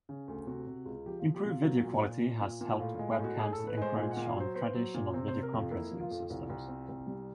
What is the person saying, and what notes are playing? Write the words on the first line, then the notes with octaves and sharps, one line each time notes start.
Improved video quality has helped webcams encroach on traditional video conferencing systems.
C#3
D2
C3 F#4
C3
C#2
F3 G4
F4
F3
G4
C3 F4
F#3
A#2
A#2
A#2
A#2
A#2
A2 F4
G#3 F4
F4
A2 F#4
A2 G#4
A4
A2
B4
G#3 C5
A#2 C5
F#5
A#2
F5
F#3 C5
B3 C5
F#3
A#2
C3 C5
C5
C3
A#4
F2 F4
A#3 E4
F3
F4
F2
C2 F4
C2
C4
C2
G3